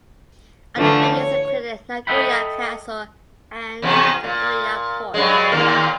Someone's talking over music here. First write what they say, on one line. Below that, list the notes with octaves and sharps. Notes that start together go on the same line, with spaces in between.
Other venues included Nagoya Castle and Nagoya Port.
D3 E3 F3 A3 D4
C#5
A4 D#5 E5 F#5 G5 B5
E2 C3 B3
A#2
G2 F#3 G#3
D#2 A#2 A#4